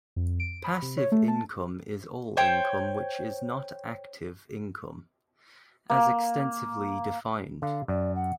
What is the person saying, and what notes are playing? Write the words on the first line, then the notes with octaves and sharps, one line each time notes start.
Passive income is all income which is not active income, as extensively defined.
F2
D7
B5
C3
C#5
A3
A5
C5 C#5 G5
A#3
D3 F5
F#2 D5
F#5